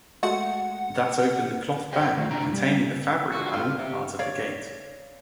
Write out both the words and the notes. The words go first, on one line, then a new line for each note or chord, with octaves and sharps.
That opened the cloth bag containing the fabric panel part of the gate.
G#3 A3 F#4 F#5
G#4 A#4 C5 E5 F5 G5
D#3 A3 D4 D#4 F4
C3 D4 E4 G5 A#5
G3
G#3 D4 F4 F#4
A2 D3 F4 G4 F5
C3
C#5 D5 F5